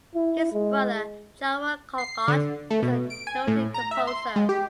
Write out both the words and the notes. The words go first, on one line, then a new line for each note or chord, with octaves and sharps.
His brother, John Wall Callcott, was a noted composer.
E4
G#3
C7
D3
A3
B2
D7
G#5
A2
A#5
E5
C6
G#3
G4